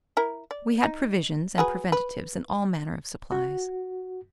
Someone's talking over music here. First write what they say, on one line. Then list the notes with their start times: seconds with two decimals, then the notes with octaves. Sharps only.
We had provisions and preventives and all manner of supplies.
0.17 E4 A#4
0.51 D5
0.84 D#4
1.58 F#3 G#4 B4
1.92 B4
3.32 F#4